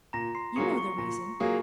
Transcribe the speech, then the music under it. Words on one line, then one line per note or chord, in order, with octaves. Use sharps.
You know the reason.
A#2 A#5 A#6
C6 C7
F#3 A#3 F4 G#4 C#6 C#7
C#6 C#7
A#2 A#5 A#6
F#3 A#3 F4 G#4